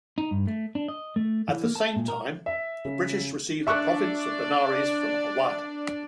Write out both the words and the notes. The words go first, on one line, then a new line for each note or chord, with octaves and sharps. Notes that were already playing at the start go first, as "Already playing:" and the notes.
At the same time the British received the province of Benares from Awadh.
D#4
G2
A3
D4
D#5
A3
E3
A#3
A5
A#2
A#4
E5
C#3
D4 D5 E5 C#6 F#6